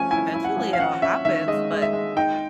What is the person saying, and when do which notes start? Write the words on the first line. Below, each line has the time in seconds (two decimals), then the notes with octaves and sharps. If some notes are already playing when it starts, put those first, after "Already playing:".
eventually, it all happens, but
Already playing: F3 A3 C#4 G#5
0.11 E4 G#5
0.34 E4
0.44 F#5
0.57 F3
0.73 F5
0.79 C#4 F#5
1.02 C#4 E5
1.25 D#3 E5
1.47 G#3 D#5
1.71 G#3
1.82 E5
1.93 G#3
2.17 D#4 G5